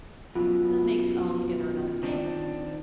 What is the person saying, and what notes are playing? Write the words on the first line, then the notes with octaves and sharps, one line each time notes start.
That makes it altogether another thing.
F#2 B2 F4
D#3 C4 D4